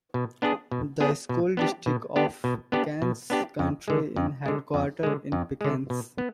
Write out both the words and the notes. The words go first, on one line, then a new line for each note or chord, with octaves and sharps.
The School District of Pickens County is headquartered in Pickens.
B2
B3 D4 G#4
B2
B3 D4 G#4
B2
B3 D4 G4
B2
B3 D4 G4
B2
B3 D4 G4
B2
B3 D4 G4
F2
D3 G#3
F2
D3 G#3
F2
D3 G#3
F2
D3 G#3
B2
B3